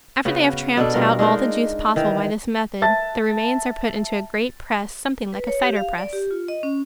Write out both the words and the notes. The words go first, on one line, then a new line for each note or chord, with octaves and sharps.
After they have tramped out all the juice possible by this method the remains are put into a great press something like a cider press.
C#3 B3 F#4
B2 B3 D4 A4
G2 B2 F4 A#4
G#3 D4 D#4 A#4
D#3 E3
E5 A5 A6
B4
C#5
G4
F5
D5
G4
F4
D#5
C#4